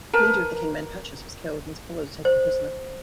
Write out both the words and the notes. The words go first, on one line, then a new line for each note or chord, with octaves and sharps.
The leader of the king-men, Pachus, was killed and his followers were taken prisoner.
A#4 B4 A5
C5